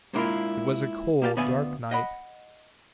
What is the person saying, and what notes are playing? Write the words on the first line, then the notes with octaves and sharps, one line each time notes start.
It was a cold, dark night.
G#3 A#3 D4 E4 F4 A#4
A#3 G4 F5 G5 A5
D2 B3 D5 E5 F5 G#5
D#5 F#5 B5